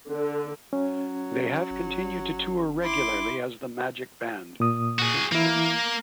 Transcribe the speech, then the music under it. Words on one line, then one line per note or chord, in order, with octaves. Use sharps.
They have continued to tour regularly as the Magic Band since then.
D3
F#3 C#4
G1
E4 C6 D6
A#2 D#6
F#4 G#4
E3 A#3 E4